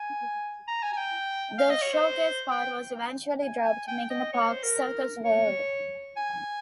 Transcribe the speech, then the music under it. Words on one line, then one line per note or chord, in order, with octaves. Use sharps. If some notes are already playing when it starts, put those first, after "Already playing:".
The Showcase part was eventually dropped, making the park "Circus World".
Already playing: G#5
A#5
G#5
G#5
G5
F5
D#5
C#5
C5
G5
G#5
G#5
G5
D#5
C#5
C5
A#4
C#5
G#5